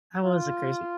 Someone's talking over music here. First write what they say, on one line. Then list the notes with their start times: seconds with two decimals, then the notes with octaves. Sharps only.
that was it crazy
0.24 F4